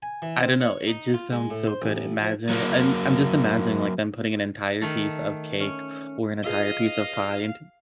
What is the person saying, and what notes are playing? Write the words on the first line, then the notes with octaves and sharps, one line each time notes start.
I don't know, it just sounds so good, imagine I'm I'm just imagining, like, them putting an entire piece of cake or an entire piece of pie into
G#5
E3
C4
C#5
D#4
F4
G#3
A2
C5
A1
F3
F#3 A#3
D#3 A3
C#4
F4 G#4 B4 D#5 F5